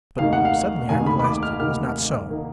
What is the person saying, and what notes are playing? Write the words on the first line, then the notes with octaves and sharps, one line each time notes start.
But suddenly I realized it was not so.
F1 D#2 D#3 A#3 D#4 F5
F#5
F5
F1 D#2 D#3 A#3 D#4 G#5
B5
B5
D6
F6
F1 D#2 D#3 A#3 D#4 F6
D#3 A#3 D#4